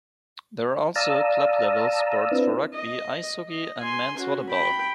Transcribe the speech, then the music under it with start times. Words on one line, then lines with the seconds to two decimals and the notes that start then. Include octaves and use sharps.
There are also club-level sports for rugby, ice hockey, and men's volleyball.
0.96 D5 F5 A5 A#5 D#6 E6
2.31 C4 D4 E4 B4
2.73 D#5
3.48 D#5
3.80 G#5 C6
4.18 C#4 F#4
4.49 G5 B5